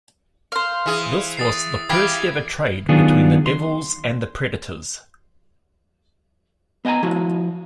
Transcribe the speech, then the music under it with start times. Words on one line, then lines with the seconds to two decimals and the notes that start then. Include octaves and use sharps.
This was the first-ever trade between the Devils and the Predators.
0.52 C5 F5
0.86 E3 G#4
1.37 D#6 A6 C7
1.89 E3 G4 F5 B5 G#6 C7
2.89 D#3 F#3 B3 D4 F4 G#4
3.46 C6
6.85 B3 D#5 G5 G#5 A#5
7.03 F3 E4 F#4